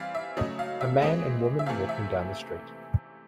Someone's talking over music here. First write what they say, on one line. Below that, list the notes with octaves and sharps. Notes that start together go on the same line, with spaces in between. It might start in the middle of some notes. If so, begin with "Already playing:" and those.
A man and woman walking down the street.
Already playing: E3 G3 C4 F5
E5
C#3 F#3 A3 D#5
F5
E5
E3 G#3 C4 D#5
E5
C3 E3 A3 F5
E5